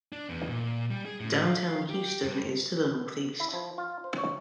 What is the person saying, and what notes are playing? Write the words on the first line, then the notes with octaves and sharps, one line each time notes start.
Downtown Houston is to the northeast.
D4
E2
A#2
G3
G#4
A2
F5
G4
G2
E4
F3
F4
C5
C#5